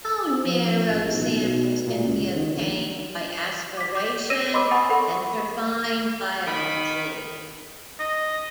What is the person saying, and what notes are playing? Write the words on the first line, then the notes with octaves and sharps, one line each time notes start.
Bone marrow samples can be obtained by aspiration and trephine biopsy.
F3
A1
B1
B2
A#2
C#2
D#3
A#1
D6 B6
D5 D6 G6
C#5 E6 G#6 A#6 D#7 E7
D#5 B5 C6 D6 E6
F#5 G#5 B5 C#6 D#6 A6
A4 A#4 F#5 B5 C#6
D#3 B5
D#5